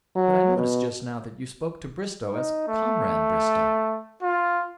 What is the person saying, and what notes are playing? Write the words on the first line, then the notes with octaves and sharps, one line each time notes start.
But I noticed just now that you spoke to Bristow as Comrade Bristow.'
F#3
B2
D#4
A3
F4